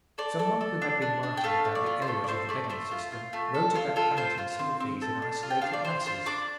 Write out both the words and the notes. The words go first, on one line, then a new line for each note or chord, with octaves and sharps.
Some one who had been writing about the errors of the bedding system wrote about planting some of these in isolated masses.
A4 D5
A4
A4
D4
D4
D4
G5
A3 F5
A3
D5
F4
C5
A3 A4
D5
A3 C5
A3 D5
A3 C5
F4
F4
A3
A4
F4
F4 A4
F4 C5
F4 C5
C4
C4
A4
D4
F4
G5
D4 F5
D5
F4 C5
F4 C5
D4 D6